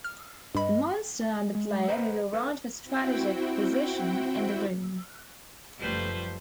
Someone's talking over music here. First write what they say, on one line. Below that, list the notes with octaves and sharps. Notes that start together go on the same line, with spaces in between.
The monster and the player move around for strategic position in the room.
F6
G2 D#5 B5
G#3
B4 C5 D#5 F#5 A#5 B5
A4 B4 F5
C4 E4 F#4 G5
F#1 F3 G3 A3 B4 C5